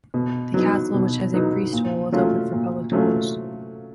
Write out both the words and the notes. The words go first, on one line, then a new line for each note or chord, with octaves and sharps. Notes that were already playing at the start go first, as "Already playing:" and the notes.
The castle, which has a priest hole, is open for public tours.
B2
F#3 B3 D#4
B2
F#3 B3 D#4
A#2
F#3 A3 C#4 F4
A#2
F#3 A3 C#4 F4